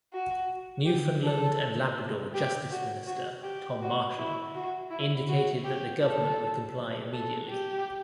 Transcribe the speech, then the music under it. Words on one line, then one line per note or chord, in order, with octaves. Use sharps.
Newfoundland and Labrador Justice Minister Tom Marshall indicated that the government would comply immediately.
F#4
G4
A4
G4
F#4
F#4
G4
F#4
E4
F#4
E4
F#4
G4
A4
A4
G4